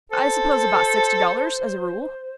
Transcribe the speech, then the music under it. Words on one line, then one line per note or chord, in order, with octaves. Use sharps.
"I suppose about sixty dollars, as a rule."
A4 C5